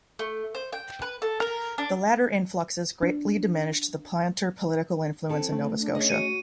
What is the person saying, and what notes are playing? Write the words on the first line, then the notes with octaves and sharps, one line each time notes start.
The latter influxes greatly diminished the Planter political influence in Nova Scotia.
A3
C5
G5
B4
A4
A#4
D4
D4
E3 C4 A4
A3
D4
C#4 G#4 D#5
F#4 C#7 D#7